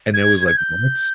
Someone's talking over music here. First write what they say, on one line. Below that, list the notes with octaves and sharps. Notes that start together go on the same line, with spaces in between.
And it was like, "What?"
G#6
G#6
G6